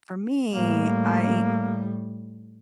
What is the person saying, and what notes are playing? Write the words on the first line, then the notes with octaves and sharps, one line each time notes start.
for me, I
A2 G3 A#3